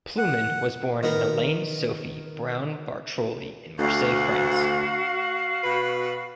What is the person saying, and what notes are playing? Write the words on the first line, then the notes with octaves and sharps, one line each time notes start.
Plewman was born Eliane Sophie Browne-Bartroli in Marseilles, France.
F#5
D#3 B3 A#4
D2 F#4 F5
B2 B4